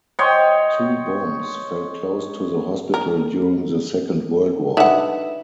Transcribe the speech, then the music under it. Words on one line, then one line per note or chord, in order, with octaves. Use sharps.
Two bombs fell close to the hospital during the Second World War.
C#5 D#5 G5 C6
A#4
D3 D#4 B4 E5 F#5